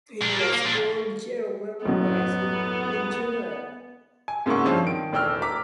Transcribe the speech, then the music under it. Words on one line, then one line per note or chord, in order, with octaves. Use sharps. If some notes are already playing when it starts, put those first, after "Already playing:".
He was born Gerolamo Bixio in Genoa.
A#2 D4
A#3
A#3
A#2 D4
B1 F#2 A2 B3
G#5
G#2 C#3 A#3 E4 F#5 C#6
G2 F3 C4 C#4
D#3 D7
E1 A2 D4 G5 E6 F6
A#5 D6 B6